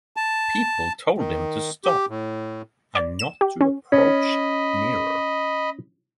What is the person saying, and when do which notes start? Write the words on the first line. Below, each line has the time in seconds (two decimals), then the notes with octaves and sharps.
People told him to stop and not to approach nearer.
0.17 A5
1.18 D#3
1.84 G4
2.09 A2
2.95 D5
3.19 E7
3.41 G4
3.61 C#4
3.92 C#4 D#5 B5